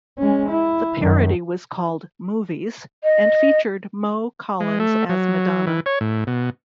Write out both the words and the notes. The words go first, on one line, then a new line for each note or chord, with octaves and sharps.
The parody was called "Movies", and featured Mo Collins as Madonna.
G#3 C#4
E4
F#2 D#3
D#5
G#3
A3
F#3
E3
C#5
A2
B2